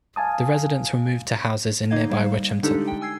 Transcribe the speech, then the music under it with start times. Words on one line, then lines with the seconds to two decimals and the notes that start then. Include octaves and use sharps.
The residents were moved to houses in nearby Witchampton.
0.16 F5 G#5 A5 D#6
1.90 D3 A#3 D#4 D#5 F5 G#6
2.10 G3 C5 F5
2.63 D3 G#3 D4 D#4 G4 A4
2.88 G5
3.01 G#5 E6 G#6 C7